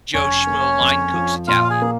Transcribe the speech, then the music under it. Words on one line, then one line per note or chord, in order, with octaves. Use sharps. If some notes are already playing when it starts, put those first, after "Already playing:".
Joe Schmo line cook's Italian.
F1 C#4 C#5
A#3
F2
F3
A#2 F4 F5
F5
G#4 G#5
A#3